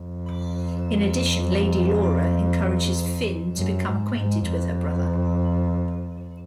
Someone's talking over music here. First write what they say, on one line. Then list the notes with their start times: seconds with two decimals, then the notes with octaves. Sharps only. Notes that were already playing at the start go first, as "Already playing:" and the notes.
In addition, Lady Laura encourages Finn to become acquainted with her brother.
Already playing: F2
3.57 F#2
3.87 G#2
4.17 G#2
4.47 F2